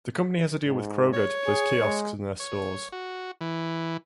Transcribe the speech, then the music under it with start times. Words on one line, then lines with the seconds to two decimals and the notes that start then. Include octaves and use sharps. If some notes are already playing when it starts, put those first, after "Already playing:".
The company has a deal with Kroger to place kiosks in their stores.
0.65 G#2
1.13 C#5
1.46 G#4
1.81 G#3
2.40 C#5
2.92 F#4
3.41 E3